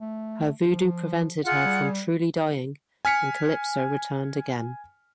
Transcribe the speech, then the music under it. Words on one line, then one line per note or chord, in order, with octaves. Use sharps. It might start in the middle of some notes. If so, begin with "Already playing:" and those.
Her voodoo prevented her from truly dying and Calypso returned again.
A3
F3
F4 G#4 F#5
G3
G#5 F6 B6 C#7